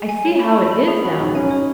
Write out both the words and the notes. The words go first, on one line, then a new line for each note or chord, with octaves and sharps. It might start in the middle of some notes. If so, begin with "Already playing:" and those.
I see how it is now.
Already playing: G#4
G#5
C#5
B5
C#5
B5
G#4
F#4 B5
D#4 C#5
C#4 G#5
D#4 C#5